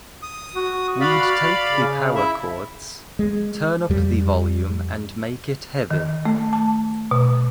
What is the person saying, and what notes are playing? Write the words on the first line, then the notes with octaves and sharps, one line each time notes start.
We'd take the power chords, turn up the volume and make it heavy.
D#6
F#4
D5 F5 B5
C#3
E4 E5
G#3
F2 G3
D#3
A3
A5
B2